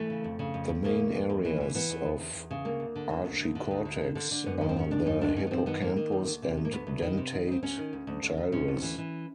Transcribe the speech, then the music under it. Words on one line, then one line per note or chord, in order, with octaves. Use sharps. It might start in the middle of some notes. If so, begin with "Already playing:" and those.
The main areas of archicortex are the hippocampus and dentate gyrus.
Already playing: E3 A3
C#3
F2
C#3
F2
F2
C#3 A#3
E2
E2
E2
E3
E3
E3 B3
E2
E2
E2
E2
C#3
D2 A#3
D2
D3
D3
D2
D2
D3
D2
D3
D3
D3
D3
F#2 B3
D#3 B3
C4
D#3 C#4
F#2 D4
F#2 D#4
D#3 D4
D#3 C#4
B3
F#2 C4
D#3 B3
D#3 A#3
D#3
F#2
D2
C3
D2
A#3
D2 B3
D2
D#3
C3
D#3
D2 C4
D2 C#4
D#3
D2
D2
D2
D2
C3 C#4
D2
E3
E3